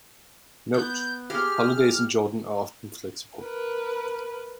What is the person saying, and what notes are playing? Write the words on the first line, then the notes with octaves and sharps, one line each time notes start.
Note: Holidays in Jordan are often flexible.
B3 G6
G4 G#4 C6 F6
A#4 B4